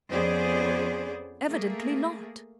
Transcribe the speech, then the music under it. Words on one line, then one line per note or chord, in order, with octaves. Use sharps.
Evidently not.
F2 B3 C#4 G#4 C5 D5
A3 A#3 G#4